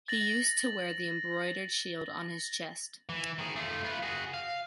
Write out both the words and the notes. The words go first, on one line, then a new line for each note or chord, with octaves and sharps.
He used to wear the embroidered shield on his chest.
A6 A#6 F#7
E3
D#3 G#4
A3 F4
F4 B4
F#4 G#4
F5